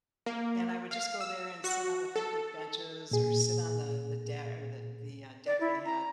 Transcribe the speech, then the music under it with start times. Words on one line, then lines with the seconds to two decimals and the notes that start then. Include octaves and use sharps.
and I would just go there and sit on the picnic benches or sit on the the deck or the the, uh, deck they had
0.26 A#3
0.91 F5
1.21 E6
1.64 F#4
2.16 A4
3.11 A#2 G#4
5.47 D5
5.61 E4
5.85 A#5